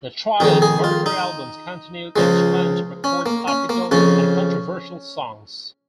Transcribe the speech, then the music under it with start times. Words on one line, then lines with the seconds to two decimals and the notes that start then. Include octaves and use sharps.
The trio's Mercury albums continued its trend to record topical and controversial songs.
0.40 F2 D#3 G#3 D#4
0.62 G#4
0.84 F4
1.06 D#4
2.16 C#2 C#3 F3 G#3
3.04 C#4
3.26 A#3
3.48 C#4
3.69 A#3
3.91 F2 C#3 F3 C#4